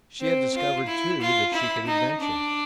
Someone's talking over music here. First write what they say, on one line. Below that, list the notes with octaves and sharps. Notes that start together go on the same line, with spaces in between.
She had discovered, too, that she could adventure.
C4
F4
E4
F4
E4
D#4
D4